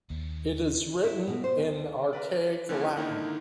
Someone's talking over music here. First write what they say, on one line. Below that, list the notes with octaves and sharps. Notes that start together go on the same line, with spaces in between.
It is written in archaic Latin.
D#2
E4
B2
C5
D2
A#4 B4 D5
D3 E3 F3 A#3 C#4 E4
D3 D#3 A#3 D#4 E4